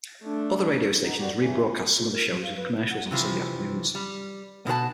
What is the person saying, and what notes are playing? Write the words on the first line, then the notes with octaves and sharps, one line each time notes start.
Other radio stations rebroadcast some of the shows with commercials on Sunday afternoons.
A3 D4
B3 D#4
F#2 G3 F#4 G4
G2 C#3 E3
F4
A#4
F#3
F5
B4
E4
F#5
C3 E3 F3
G3
B2 F#4 C5 A5